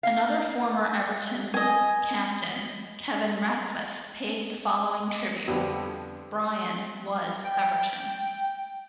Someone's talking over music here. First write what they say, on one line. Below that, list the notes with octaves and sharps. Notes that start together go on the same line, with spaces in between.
Another former Everton captain, Kevin Ratcliffe, paid the following tribute: Brian was Everton.
F5
D#5 G#5
F2 D3 F3 G3 B3
G5